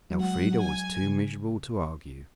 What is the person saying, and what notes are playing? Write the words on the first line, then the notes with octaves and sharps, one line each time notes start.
Elfrida was too miserable to argue.
F#3
G#3 F#5
F#3
G#5
C#3